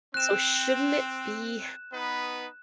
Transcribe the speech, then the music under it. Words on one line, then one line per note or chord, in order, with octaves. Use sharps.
So shouldn't it be
C4 F#6 E7
B3 D#4 B4